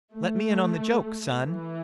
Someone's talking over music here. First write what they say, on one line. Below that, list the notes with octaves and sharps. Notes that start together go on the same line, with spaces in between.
"Let me in on the joke, son."
A3
E3